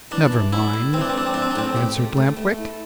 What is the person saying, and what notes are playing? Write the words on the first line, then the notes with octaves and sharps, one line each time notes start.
"Never mind," answered Lamp-Wick.
E3 D4
A3
A2 E4
A2
E3 C4
D4
C4
A3 D4
C4
A2 D4
C4
D4
A2 C4
G4
A3
A3
A3
E4